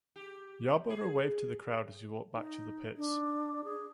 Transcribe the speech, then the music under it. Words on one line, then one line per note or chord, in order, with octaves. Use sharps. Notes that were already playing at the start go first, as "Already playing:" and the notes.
Yarborough waved to the crowd as he walked back to the pits.
G4
G#4
D#4
D4
G#4